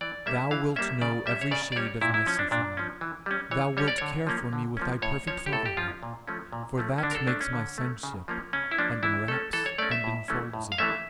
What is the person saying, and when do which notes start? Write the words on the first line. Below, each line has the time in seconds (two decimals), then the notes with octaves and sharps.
Thou wilt know every shade of my suffering; thou wilt care for me with thy perfect fatherhood; for that makes my sonship, and inwraps and infolds it.
0.01 E3 D5
0.26 G3 A#3 C#4 E5
0.51 E3 F5
0.76 G3 A#3 C#4 E5
1.01 C#3 D5
1.26 G3 C#4 E5
1.41 C#5
1.51 C#3 D5
1.72 D5
1.76 G3 C#4 C#5
2.01 A#2 E4
2.14 E4
2.26 F3 C#4
2.39 D4
2.51 A#2 D4
2.77 F3 C#4
3.01 E3
3.26 G3 C#4
3.51 E3 C#5
3.77 G3 C#4 C#5
3.88 D5
3.98 D3 C#5
4.27 F3 A#3 C#4
4.53 D3
4.77 F3 A#3 C#4
5.02 A2 C#5
5.27 F3 C#4 C#5
5.46 G4
5.52 A2 A4
5.66 G4
5.77 F3 C#4 F4
6.03 A#2
6.28 F3 A3 C#4
6.52 A#2
6.78 F3 A3 C#4
6.98 C#4
7.03 D3 D4
7.11 A#4
7.15 A4
7.27 A3 C#4 D4
7.41 C#4
7.53 D3
7.78 A3 C#4
8.03 C#3
8.28 F3 A#3 C#4
8.53 C#3 C#4
8.71 E4
8.78 F3 A#3 C#4 D4
9.03 E3 E4
9.28 A3 C#4 A4
9.53 E3 A4
9.66 C#5
9.78 A3 C#4 D5
9.91 E5
10.04 A2
10.28 E3 A3 C#4
10.53 A2
10.72 F5
10.78 E3 A3 C#4 E5